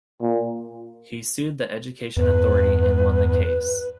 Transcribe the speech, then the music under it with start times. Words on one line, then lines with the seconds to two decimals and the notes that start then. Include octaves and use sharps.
He sued the education authority and won the case.
0.21 A#2
2.17 E2 G2 B4